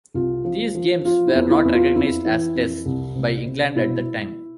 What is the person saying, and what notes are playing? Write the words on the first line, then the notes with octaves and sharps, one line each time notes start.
These games were not recognised as Tests by England at the time.
C2 F4
F3
F3
F3 F4
E4
E2
E4
E2
F4
F2 E4
E3
F2
C2
C3
C3
B2 E4